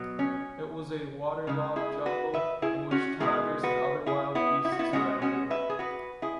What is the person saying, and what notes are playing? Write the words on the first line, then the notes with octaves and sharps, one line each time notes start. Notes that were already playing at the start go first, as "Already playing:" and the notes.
It was a water-logged jungle, in which tigers and other wild beasts abounded.
Already playing: B2 F#3
C#4
C#3 G#3
E4 G#4
F#4 B4
B4 E5
E4 G#4
C#4 F#4
B2 G#3 E4 G#4
F#4 B4
E4 G#4
B3 E4
E4
F#4
B3 E4
B2 G#3 C#4 F#4
C#4 F#4
B4 E5
G#4
F#4 B4
E4 G#4